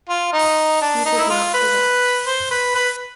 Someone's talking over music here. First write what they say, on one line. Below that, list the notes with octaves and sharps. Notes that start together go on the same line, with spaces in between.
He did not survive.
F4
D#4
D4
D#4
E4
F4
B4
C5
B4
B4